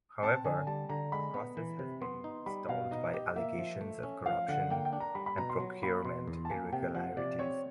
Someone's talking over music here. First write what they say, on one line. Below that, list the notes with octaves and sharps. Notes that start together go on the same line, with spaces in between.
However, the process has been stalled by allegations of corruption and procurement irregularities.
C4 A5
D3 G#5
G3 A5
D3 A#5
G#3 B5
B3
E3
C3
B3 C6
D#4
G3 B5
B2 F5
D#4 D#5
G4
A#3 E5
F3
A3
C#4
F3 F5
D3 F#5
A#3 G5
G5
D4
A#5
G3 B5
B5
B2 A#5
C6
F#3
A#3 B5
B2 C6
E2
A5
A#3 G#5
C3 G5
F3 F#5
C3 D5
C4 C#5